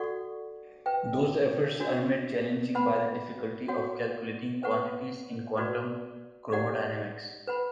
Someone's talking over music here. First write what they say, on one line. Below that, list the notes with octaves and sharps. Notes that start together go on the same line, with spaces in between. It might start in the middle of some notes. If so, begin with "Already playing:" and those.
Those efforts are made challenging by the difficulty of calculating quantities in quantum chromodynamics.
Already playing: F#4 A4 D5 F#5 C#6
B4 E5 G5
D4 F#4 C#5
B4 F#5 B5
F#4 C#5 F#5
B4 F#5 C#6
F#4 B4 D5
G4 D5 F#5
B4 F#5 B5